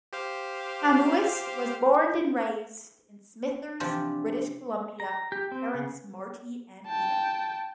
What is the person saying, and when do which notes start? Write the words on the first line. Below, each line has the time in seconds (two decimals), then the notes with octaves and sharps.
Hamhuis was born and raised in Smithers, British Columbia, to parents Marty and Ida.
0.13 G4 C5 F5
3.80 C3 E3 F3 D4 F4 G4
5.00 A#5
5.32 G4
5.52 C4
5.74 C#3
6.87 G5 A5